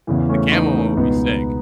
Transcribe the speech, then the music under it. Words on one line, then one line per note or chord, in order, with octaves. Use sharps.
The camo one would be sick.
E2 C#3 E3
A3 C#4
B3 D#4
A3 C#4
C#2 B2 B3 D#4